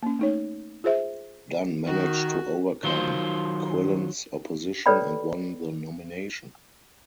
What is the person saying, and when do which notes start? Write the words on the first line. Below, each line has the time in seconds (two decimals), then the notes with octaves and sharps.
Dunn managed to overcome Quillen's opposition and won the nomination.
0.03 A#3 C#4
0.19 A3 D#4 C#5
0.84 F4 G#4 C5 E5
1.86 D#3 F#4
2.84 D#3 F#3 F4 C5
4.86 A4 B4 C#5 D5 G5 B5